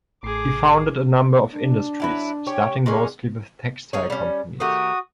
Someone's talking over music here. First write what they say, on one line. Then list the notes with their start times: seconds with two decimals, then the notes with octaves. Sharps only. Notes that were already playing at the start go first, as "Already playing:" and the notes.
He founded a number of industries, starting mostly with textile companies.
0.23 A1 A2 G#4 D6 C7
1.54 D4
2.00 F#3 E4 B4
2.47 C#4 G4 C#5
2.86 A#2 G#3 C#4
3.93 D#4 G#4 C#5
4.10 G3 C#4
4.60 D#3 A3 F#4 G4 D#6